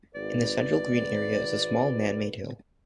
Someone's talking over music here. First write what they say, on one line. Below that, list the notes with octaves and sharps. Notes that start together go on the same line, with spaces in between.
In the central green area is a small man-made hill.
G#1 B4 D5